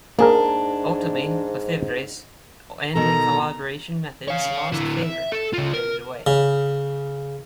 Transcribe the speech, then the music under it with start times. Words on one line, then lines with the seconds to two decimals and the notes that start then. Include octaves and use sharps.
Ultimately, LeFevre's anti-collaboration methods lost favor and faded away.
0.19 G#2 A#3 D4 G#4 A#4
2.95 B2 D#3 A4 A#5
4.28 C#5 F5
4.73 D3 E4
5.03 E5
5.32 A4
5.53 C#3 F4
5.74 A#4
6.27 C#3